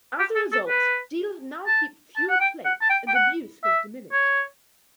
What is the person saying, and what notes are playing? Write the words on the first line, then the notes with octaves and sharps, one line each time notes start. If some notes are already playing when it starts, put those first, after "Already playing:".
As a result, dealers now keep fewer plates and abuse has diminished.
G4
A4
A4
B4
A5
A5
F#5
G5
F#5
A5
G5
G5
F#5
E5
C#5